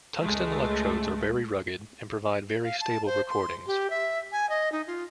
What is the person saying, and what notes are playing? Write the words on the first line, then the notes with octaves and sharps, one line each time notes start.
Tungsten electrodes are very rugged and provide very stable recordings.
C#2 G#3 A3
F5
A5
C5
C6
G4
E5
G#5
D#5
D#4
F4